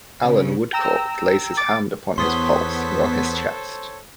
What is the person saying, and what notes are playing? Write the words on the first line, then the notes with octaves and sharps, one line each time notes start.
Allan Woodcourt lays his hand upon his pulse and on his chest.
C#3
G5 A#5 E6
D6 A6
E2 B3 A4 C5 C#5 C6 D#6 B6